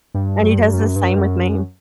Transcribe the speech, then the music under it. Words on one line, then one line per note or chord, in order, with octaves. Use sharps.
and he does the same with me.
G2
F#2
G2
F#2
G2
F#2
G2
F#2
G2
F#2
G2
F#2